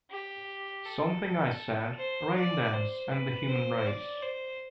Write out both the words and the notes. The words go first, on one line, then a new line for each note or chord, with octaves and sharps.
"Something I Said", "Raindance" and "The Human Race".
G4
A4
C5
D5
C5
B4
C5
D5
C5